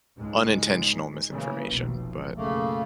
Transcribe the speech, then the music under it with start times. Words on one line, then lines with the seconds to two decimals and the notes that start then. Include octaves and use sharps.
unintentional misinformation, but
0.19 C#2 G#2 G#3
1.30 C#3 E3 A#3
1.67 F1 B1
2.37 B1 F#2 C#3 A3 A#3